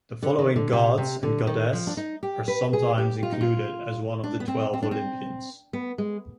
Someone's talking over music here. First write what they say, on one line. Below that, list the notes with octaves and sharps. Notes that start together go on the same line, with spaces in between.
The following gods and goddess are sometimes included as one of the twelve Olympians.
D3
D#3
D3
C3
C3
D3
D#3
F3
D4
D#4
G4
B4
G#4
G4
F4
D#4
F4
D4
B3
C4
C4
D4
C4
B3
G#3